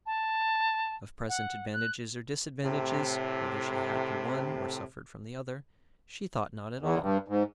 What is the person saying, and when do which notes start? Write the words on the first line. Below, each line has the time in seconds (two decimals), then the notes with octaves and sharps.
Of present advantages or disadvantages,--whether she had the one or suffered from the other,--she thought not at all.
0.06 A5
1.29 F#5
1.73 F#6
2.63 A2 C3
6.79 E2
7.01 G2
7.28 G#2